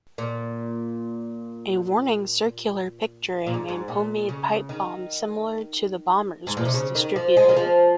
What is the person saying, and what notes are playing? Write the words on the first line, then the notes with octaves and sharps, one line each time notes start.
A warning circular picturing a homemade pipe bomb similar to the bomber's was distributed.
A#2
A#2
G#2
G#2
A#2
C#3
D#3
G#2
A#2
C3
C#3
D#3
F3
G#3
D#3
F3